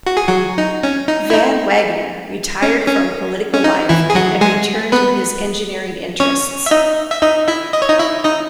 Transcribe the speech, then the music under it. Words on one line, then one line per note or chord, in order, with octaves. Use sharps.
Van Wagoner retired from political life and returned to his engineering interests.
F#4
G#4
F#3 F#4
D#4
C#4
D#4
E4
D#4
C#4
C#4
C#4
D#4
E3 E4
G#4
F#3 F#4
G#3 G#4
B3 B4
C#4 C#5
E5
D#4 D#5
E5
D#4 D#5
E4 E5
D#5
C#5
D#4 D#5
E4 E5
D#4 D#5